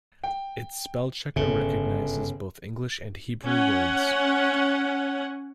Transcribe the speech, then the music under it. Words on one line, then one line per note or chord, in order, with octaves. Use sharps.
Its spellchecker recognizes both English and Hebrew words.
G5
G1 C#3
C#4 F#5